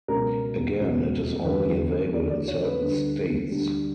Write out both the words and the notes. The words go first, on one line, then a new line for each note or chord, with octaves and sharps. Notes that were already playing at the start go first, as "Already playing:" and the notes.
Again, it is only available in certain states.
C#2 B2 F#3 A#4
C#2 B2 F#3
E2 D3 F#3 B4
E2 D3 F#3 D5
D5
C#5
B4
D2 D3 G3
D2 D3 G3